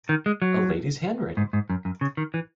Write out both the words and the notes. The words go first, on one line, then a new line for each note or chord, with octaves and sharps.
A lady’s handwriting!
D#3
G#3
F#3
G#2
G#2
F#2
F#2
C#3
D#3
E3